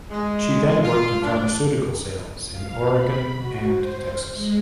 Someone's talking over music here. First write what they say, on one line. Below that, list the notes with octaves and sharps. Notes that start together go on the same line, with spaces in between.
She then worked in pharmaceutical sales in Oregon and Texas.
G#3
F4
D4
F5
B5
F#4
C5
G#3